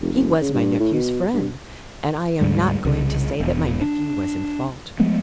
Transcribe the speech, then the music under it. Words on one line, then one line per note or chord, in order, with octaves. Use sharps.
He was my nephew's friend, and I am not going to say that my nephew was in fault.
F1
F#1
C#3
G2
A2
B2
G2
D2 G#2 G3
C2 C#3
E1
D4
F3 G#3 A3 B3